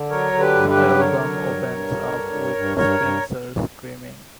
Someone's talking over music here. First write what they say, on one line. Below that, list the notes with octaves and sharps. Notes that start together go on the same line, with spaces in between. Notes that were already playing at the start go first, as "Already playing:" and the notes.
The album opens up with Spencer screaming.
Already playing: D3
F#3 A#4 C#5
D3
G4 B4
G2
G4 B4
F#3
D3 A#4 C#5
F#3
G2
G2
D3
G2
G2
G2
G2 A#4 C#5
G2